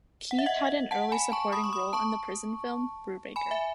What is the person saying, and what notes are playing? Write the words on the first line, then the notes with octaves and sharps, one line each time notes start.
Keith had an early supporting role in the prison film "Brubaker".
F#5
E5
D#5 F#5
F#5 A5
G#5 B5
A5 C#6
B5 D#6
C#6
B5 D#6
A5 C#6
G#5 B5
E5 G#5